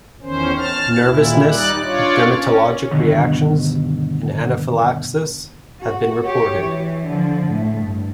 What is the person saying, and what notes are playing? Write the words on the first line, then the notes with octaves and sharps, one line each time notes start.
Nervousness, dermatologic reactions, and anaphylaxis have been reported.
E2 D#3 C#4 C5
A5 F6
D#2 A#2 E4
G3 D#4 D5 F#6
D4 F4 C#5 D5
C#4
D2 G2 B2 D3 D#3
F#4
G4 C#5
E3
D3 F3
A2
G2